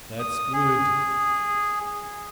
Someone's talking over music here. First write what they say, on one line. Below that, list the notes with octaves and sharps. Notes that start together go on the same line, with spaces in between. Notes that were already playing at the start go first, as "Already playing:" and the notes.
That's good!
D#6
G#4